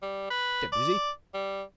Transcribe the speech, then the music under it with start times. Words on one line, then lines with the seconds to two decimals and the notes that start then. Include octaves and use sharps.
"Get busy."
0.02 G3
0.30 B4
0.73 D5
1.34 G3